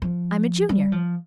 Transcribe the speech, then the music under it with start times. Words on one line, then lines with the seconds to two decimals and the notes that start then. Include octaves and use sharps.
I'm a Junior.
0.02 F3
0.69 G3
0.92 F3